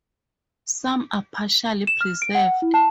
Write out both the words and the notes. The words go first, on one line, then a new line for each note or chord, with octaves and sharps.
Some are partially preserved.
E7
F6
D7
F#5
E4
A5